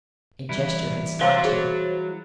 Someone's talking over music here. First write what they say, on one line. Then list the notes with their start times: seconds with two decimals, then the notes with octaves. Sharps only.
A gesture had stopped him.
0.49 E3 G3 E4
1.21 F#3 C5 C#5 F5 A6
1.45 G#4